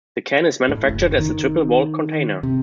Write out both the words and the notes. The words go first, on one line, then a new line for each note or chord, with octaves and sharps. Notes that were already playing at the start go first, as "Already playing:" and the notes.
The can is manufactured as a triple-walled container.
A2
F#1
D#3
C3